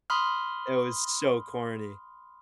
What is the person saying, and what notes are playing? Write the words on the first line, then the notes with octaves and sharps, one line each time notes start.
It was so corny.
B5 C6 D#6 F6